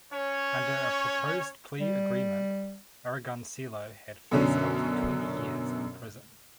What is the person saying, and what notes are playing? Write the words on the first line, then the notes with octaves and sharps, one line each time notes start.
Under a proposed plea agreement, Aragoncillo had faced up to twenty years in prison.
C#4 C#5
G3
F#2 B2 D3 C#4